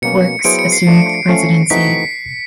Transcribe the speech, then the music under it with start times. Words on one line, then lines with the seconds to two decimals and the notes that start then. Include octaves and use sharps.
Works assumed the presidency.
0.02 B2 F#3 A#3 C#4 C#7
0.44 F#3 B3 E4 G#4 C5 D7
0.59 C#7
0.72 C7
0.87 F3 A3 D4
1.29 F3 A3 C#4
1.70 E3 A3 C4 D#4 F#4 B6